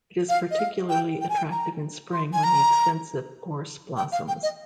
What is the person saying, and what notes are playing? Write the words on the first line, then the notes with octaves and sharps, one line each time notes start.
It is particularly attractive in spring when the extensive gorse blossoms.
F5
D#5
F5
G5
G5
G#5
G5
A#5
C6
G#5
A#5
G5
F5
G5
D#5